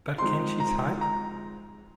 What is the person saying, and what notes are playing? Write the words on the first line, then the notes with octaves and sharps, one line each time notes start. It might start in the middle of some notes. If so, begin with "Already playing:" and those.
But Can She Type?
F3 G#3 C4 D#4 C6
A#5
A#5